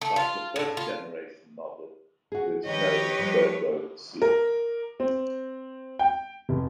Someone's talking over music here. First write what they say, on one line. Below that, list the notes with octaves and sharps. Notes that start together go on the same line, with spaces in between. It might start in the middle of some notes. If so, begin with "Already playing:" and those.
Like the first-generation model, there is no third-row seat.
A3
F4
A2
F4
F#4 G#4
D#3 F3 G4 B4 C#5 D#5
F3 G3
A#4
C4
G5
F1